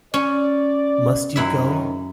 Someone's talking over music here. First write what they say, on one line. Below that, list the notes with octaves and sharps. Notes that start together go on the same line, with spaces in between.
Must you go?
C#4 D5
F#2 D#3 C#4 E4 E5